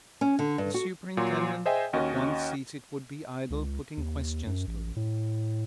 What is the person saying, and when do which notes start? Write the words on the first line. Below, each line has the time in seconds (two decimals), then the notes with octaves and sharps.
The superintendent at once sees it would be idle putting questions to him.
0.21 C#4
0.39 D3
0.58 G2
0.74 F#4
1.17 A#2 F#3 C6
1.65 G#4 C5 D#5 E5 G5 G#5
1.93 D#2 C#4 F#4 D#5
3.50 C#2
3.97 D#2
4.47 F#2
4.67 A1
4.96 A2